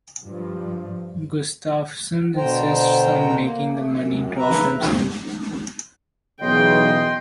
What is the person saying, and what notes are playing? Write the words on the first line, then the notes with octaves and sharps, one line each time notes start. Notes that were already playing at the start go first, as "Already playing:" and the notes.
Gustafson insists on making the money drop himself.
G2 F3
B2 D3 C5 G5 A#5
A#3
A3
F#2
C#3 B4 E5 A#5
B1 E2 C#3 D#5 G5 C6